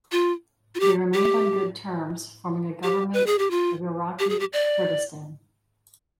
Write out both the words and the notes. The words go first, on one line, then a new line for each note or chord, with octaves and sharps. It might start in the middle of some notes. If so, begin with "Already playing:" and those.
They remained on good terms, forming a government of Iraqi Kurdistan.
F4
F4
G4
G4
G4
B4
G#4
G4
F4
G4
G#4
G4
D5